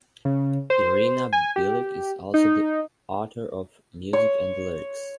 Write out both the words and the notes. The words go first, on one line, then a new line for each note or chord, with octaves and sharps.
Iryna Bilyk is also the author of music and lyrics.
C#3
C5
G#5
G4
D#4
C#5